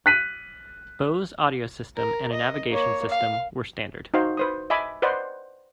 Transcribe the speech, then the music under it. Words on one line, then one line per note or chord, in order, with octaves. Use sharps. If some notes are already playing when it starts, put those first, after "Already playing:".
Bose audio system and a navigation system were standard.
F#6 B6 D#7
A#4
D#5
A#3 C#5
F5
D#4 F#4 C5 F5
B4 C5 D#6
D#5 E5 G#5 B5 D6
B4 C5 D5 D#5 F#5 C6